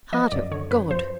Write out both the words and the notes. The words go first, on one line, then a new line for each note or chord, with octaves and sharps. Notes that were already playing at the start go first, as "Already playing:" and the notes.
Heart of God!
F3 D#5
F#2 D5
D3 C#5
F#2 B4
F3 C5